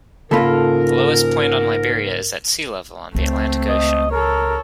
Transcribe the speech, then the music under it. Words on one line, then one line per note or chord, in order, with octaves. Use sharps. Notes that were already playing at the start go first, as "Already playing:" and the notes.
The lowest point on Liberia is at sea level on the Atlantic Ocean.
G#2 C#3 A#3 F4 A4 A#4 B5
C#2 A3 C4
D#5
A4 A#4 C#5